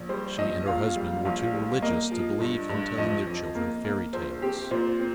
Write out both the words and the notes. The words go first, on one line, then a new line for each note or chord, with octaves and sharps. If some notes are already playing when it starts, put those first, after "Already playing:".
She and her husband were too religious to believe in telling their children fairy tales.
Already playing: A#1
G3 C5
A#1 D#5
A#2 F5
G3
A#1 F5
G3
A#3 D#5
F3
G2
G2
F2 D#5
F2
A#3
A#3
A#1 C5
C4 G4
A#2 C5
C4